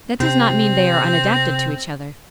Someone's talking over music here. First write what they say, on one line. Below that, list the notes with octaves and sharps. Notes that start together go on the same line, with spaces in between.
That does not mean they are unadapted to each other.
C3 C4